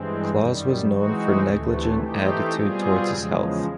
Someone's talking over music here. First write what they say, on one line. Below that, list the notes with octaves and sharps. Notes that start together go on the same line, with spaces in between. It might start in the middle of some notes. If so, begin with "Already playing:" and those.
Claus was known for negligent attitude towards his health.
Already playing: G2 E3 G#3 C4
F#2 D#3 G3
E3 G#3 C4 D#4 F#4
D2 C3 E3 A3
E3 A3 C4 D#4 G4
B2 G3 C4 F4 G#4
E2 C#3 F3 G#3